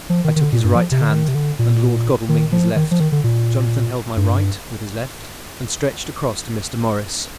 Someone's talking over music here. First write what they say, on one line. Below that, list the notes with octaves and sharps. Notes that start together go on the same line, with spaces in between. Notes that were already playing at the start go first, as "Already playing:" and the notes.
I took his right hand, and Lord Godalming his left; Jonathan held my right with his left and stretched across to Mr. Morris.
F3
D#3
D#3
D3
A#2
G2
F3
C3
D3
D#3
C3
D3
A#2
D#3
F3
D#3
F3
D#3
D3
A#2
G2